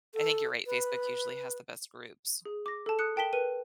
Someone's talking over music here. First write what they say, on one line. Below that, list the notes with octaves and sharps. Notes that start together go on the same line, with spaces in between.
I think you're right, Facebook usually has the best groups.
A4
B4
G#4
D6 A#6
A4 A5
D#6 F#6 C#7
A#4 G5 A5 B6 G7
A#4 B4 D#7